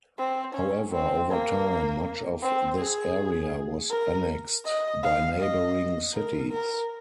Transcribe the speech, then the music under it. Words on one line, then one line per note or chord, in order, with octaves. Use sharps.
However, over time, much of this area was annexed by neighboring cities.
C4
C#4
C4
A#3
C4
G#4
A#4
D#5
F5
D#5
A#4
A#4